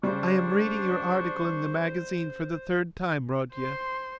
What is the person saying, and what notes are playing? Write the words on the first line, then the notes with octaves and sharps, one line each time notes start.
I am reading your article in the magazine for the third time, Rodya.
C#3 G3 D4 C5 C#6
C5 C6